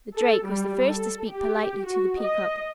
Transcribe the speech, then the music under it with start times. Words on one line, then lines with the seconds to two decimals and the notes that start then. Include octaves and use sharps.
The Drake was the first to speak politely to the Peacock.
0.14 A4
0.45 G3
0.86 A4
1.30 G4
1.86 F#4
2.22 D#5